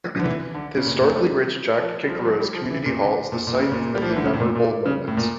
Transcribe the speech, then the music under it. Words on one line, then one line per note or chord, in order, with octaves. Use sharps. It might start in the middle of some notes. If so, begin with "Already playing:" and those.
The historically rich Jack Kickeros community hall is the site of many memorable moments.
D3
E3
D3
C#3
A#2
A#2
A3
G3
F3
G3
F3
G3
F3
G3
F3
E3
A#2
D3
A#2
A#2
C#3
A#2
G3
F3
E3
D3
C#3
A2
A#2
A#2
C#3
A2
A#2